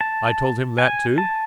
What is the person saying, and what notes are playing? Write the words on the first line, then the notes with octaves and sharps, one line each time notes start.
"I told him that too?"
A5
G#5
A5